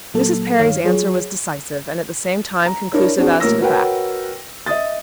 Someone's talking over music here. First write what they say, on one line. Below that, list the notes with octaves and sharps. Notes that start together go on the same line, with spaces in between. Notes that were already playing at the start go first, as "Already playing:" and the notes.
Mrs. Perry's answer was decisive, and at the same time conclusive as to the facts.
A#2 F#3 A#3 A4
G2 D#3 C#5 F5
F#3 F4 G#4 C#5
A#5
D4 E4 A#4 C#5
C4 D4 F#4 G#4
A1 A#2 A#4 C#5 E6 A#6
F#4 A#4 B4 C#5 F#5 G5
D#5 E5 D#6 A6